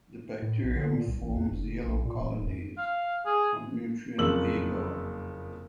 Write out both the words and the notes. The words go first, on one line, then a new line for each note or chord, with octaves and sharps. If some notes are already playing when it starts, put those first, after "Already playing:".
The bacterium forms yellow colonies on nutrient agar.
A2
A#1
D3
A#2
C2
A1
E2
F#1
A#1
A#2
D1
F#2
F5
G#4
F#1 F2 A#3 E6 F#7